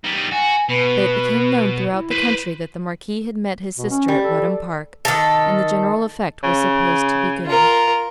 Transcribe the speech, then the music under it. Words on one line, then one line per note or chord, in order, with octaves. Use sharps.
But it became known throughout the country that the Marquis had met his sister at Rudham Park, and the general effect was supposed to be good.
G3 D#4
F#4 G#5
B2 B4
E4
B4 C5
B2
C#4
G3
A4
D#3 A4
C#3
F4 A#4